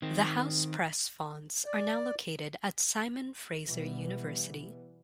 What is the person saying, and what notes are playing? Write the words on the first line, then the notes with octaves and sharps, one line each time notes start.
The housepress fonds are now located at Simon Fraser University.
D#3 C4
D5
B2 E3 G3 B3